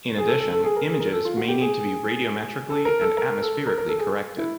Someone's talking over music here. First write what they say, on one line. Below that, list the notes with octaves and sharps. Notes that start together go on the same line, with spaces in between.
In addition, images may need to be radiometrically and atmospherically corrected.
G#4
A4
A4
A4
G#4
A#4
G#4
A#4
A4
F4
F#4
G4
G#4
A4
A#4
A4
A#4
A4
A#4
A#4
A4
G#4
E4